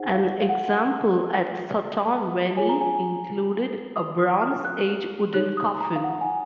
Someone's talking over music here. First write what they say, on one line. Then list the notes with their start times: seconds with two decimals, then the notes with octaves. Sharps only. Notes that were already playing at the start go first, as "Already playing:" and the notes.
An example at Sutton Veny included a bronze-age wooden coffin.
Already playing: D#4 G#4 C5 F#5
0.15 F5
0.42 F5
0.49 F#5
2.57 F4 G#4 C#5 G#5
2.69 A#5
2.81 G#5
3.96 D#6
4.19 D#6
4.42 F6
4.65 F#6
5.34 D#4 G#4 C#5 F#6
5.57 D#6
5.81 A#5
5.96 F5
6.04 F#5
6.21 G#5